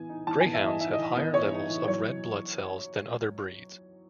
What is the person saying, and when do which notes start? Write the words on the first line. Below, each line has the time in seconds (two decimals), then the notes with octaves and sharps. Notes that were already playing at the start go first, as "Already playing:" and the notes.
Greyhounds have higher levels of red blood cells than other breeds.
Already playing: E3 B3 G#5
0.09 D#4
0.27 E3 A5
0.41 B3 G#5
0.54 E5
0.63 E3 D#5
0.80 D#4 E5
0.93 D#5
0.98 E3
1.17 B3
1.34 E3 C#5
1.52 D#4
1.70 E3
1.87 F#3 C#5